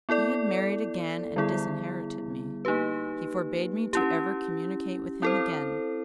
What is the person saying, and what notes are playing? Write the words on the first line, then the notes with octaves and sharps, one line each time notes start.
He had married again and disinherited me. He forbade me to ever communicate with him again.
B3 E4 A4 D5
D3 G3 B3 E4 G#4
A#3 D#4 G4 B4
C#4 E4 G4
C4 E4 A4 C5